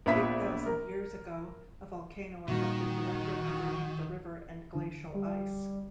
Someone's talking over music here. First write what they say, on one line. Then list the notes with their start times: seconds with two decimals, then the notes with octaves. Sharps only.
Eight thousand years ago, a volcano erupted directly underneath the river and glacial ice.
0.06 A#1 B3 F4 E5 B5 B6
0.66 A#4
2.48 A#2 D#3 G3 F#4
4.75 D3
5.14 G3